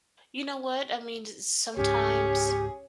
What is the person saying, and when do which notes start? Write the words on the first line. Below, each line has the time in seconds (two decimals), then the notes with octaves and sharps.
you know what? I mean, d sometimes
1.77 C#2 G#2 C#4 G4 G#4